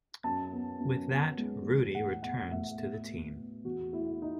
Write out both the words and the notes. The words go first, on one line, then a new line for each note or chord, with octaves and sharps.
With that, Rudy returns to the team.
F#2 A5
B3
F#2
B3
G#3
E2
A2 F#5
B3 F#5
A2 E5
B2
B3
B2
E2 F#4
A3 E4
D#4